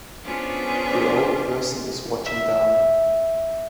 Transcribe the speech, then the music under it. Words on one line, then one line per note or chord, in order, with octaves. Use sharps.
The old person is watching down.
B3 C#4 D4 F4 G#4 C5
E5